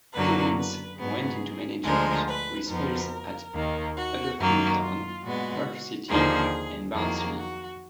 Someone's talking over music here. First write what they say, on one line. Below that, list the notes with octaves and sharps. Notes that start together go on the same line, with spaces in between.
Collins went into management, with spells at Huddersfield Town, Hull City and Barnsley.
F#2 D3 F#3 A#3 B4
B4
G#2 F#3 B3 G#4
D2 D3 F3 G#3 A#4
B4
F2 F3 B3 A#4
D#2 D#3 A#3
F#4
F#2 D#3 F#3 A#3 D#4
F4
A#2 G#3 B3 F#4
D#2 D3 F3 A#3 G#4
F2 D#3 F#3 A#3 G#4
F#4